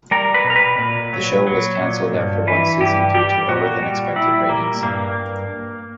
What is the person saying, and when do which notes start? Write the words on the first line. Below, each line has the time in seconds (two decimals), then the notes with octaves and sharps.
The show was canceled after one season due to lower than expected ratings.
0.11 G3 A#4
0.34 B4
0.44 B2
0.50 A#4
0.56 B4
0.78 A#2
1.13 F#3
1.47 F#3
1.80 A#2
2.14 G2
2.47 E3 B4
2.81 G2 G4
3.14 G3 G4
3.49 A#2 F#4
3.83 G3
4.16 G3 E4
4.49 A#2 A#3
4.83 G2 A#3